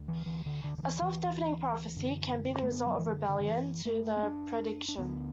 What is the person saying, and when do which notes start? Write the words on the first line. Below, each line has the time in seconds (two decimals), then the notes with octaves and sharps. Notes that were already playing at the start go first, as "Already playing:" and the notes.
A self-defeating prophecy can be the result of rebellion to the prediction.
Already playing: D2 D3
0.08 E3
0.26 E3
0.46 D3
0.64 D3
0.78 D3
0.83 E3
1.02 E3
1.96 F#2 D3
2.63 A3
2.72 B3
2.86 F#3
2.99 E3
3.10 D3
3.29 D3
3.40 D3
3.47 E3
3.85 A3
4.16 B3
4.23 D4
4.88 D4
4.98 D2 D3 B3